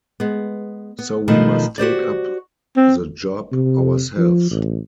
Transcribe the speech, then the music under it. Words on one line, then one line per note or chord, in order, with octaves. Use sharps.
So we must take up the job ourselves.
G#3 B3
B3
B2 D#3 F3 A3
F#4 G4 C5 D5
C4
C3
F3
A1